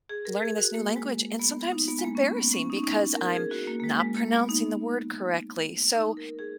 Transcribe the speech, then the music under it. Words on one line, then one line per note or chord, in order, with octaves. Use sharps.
learning this new language, and sometimes it's embarrassing, because I'm not pronouncing the word correctly, so
G#4
A#4
G#4
F#4
A#3
G#3
B3
D#4
B3
G#3
A#3
C#4
B3
B3
C#4
D#4
C#4
D#4
E4
A#4
A#4
G#4
F#4
A#3
A#3
G#3
G#3
A#3
B3
D#4
D#4
A#4
G#4